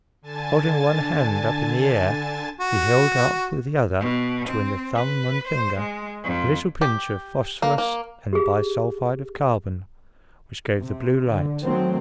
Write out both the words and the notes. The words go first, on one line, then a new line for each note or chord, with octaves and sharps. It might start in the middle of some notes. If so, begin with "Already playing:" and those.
Holding one hand up in the air, he held up with the other, between the thumb and finger, a little pinch of phosphorus and bi-sulphide of carbon, which gave the blue light.
D3 G#5 A5 A6
F#4
B2
C4
B4
C5
G#3
F2
G4
A#3
A#3
G4 G#4
C3
D3
D#3 F#3 A3 C4